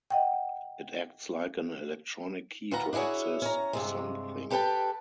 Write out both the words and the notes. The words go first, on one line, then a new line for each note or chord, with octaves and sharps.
It acts like an electronic key to access something.
D#5 F#5 G5
D2 F4 B4 F#5 A#5
D4 E4 F#4 G#4 C#5
C#4 A#5
G2 C3 G#3
G4 A4 B4 D#5 G5 A5